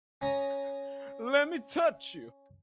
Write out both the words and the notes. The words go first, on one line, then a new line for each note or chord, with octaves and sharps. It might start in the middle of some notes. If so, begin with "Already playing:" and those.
Let me touch you!
C#4 A#5 D#6